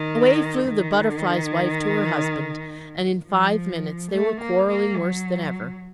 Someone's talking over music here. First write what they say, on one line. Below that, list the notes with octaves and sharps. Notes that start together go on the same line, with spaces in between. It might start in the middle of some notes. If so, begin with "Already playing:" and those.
Away flew the Butterfly's Wife to her husband, and in five minutes they were quarrelling worse than ever.
Already playing: D#3
D#3
F3
A3
A#3
A#3
F#3